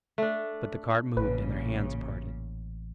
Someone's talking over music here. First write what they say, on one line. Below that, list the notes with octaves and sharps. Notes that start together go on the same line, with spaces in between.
But the cart moved and their hands parted.
A3 D4
A1 A#2 C#3 B4